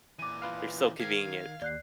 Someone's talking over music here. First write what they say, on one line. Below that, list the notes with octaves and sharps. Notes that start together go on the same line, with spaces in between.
they're so convenient,
A#2 E3 D6 D#7
F4 B4 F5
D#3 F5 G#6 C7
D#2 D5 F#6 C7